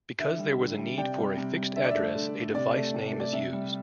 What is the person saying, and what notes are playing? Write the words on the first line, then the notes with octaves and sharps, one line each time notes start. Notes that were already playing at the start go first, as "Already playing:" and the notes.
Because there was a need for a fixed address a device name is used.
D3 E5
G3
D3
G3
C3 D5 G5
G3
C3
G3
D3 E5
D5
A3 E5
D3
A3
C3 D5
A3
C3
A3
D5
C3 E5
G3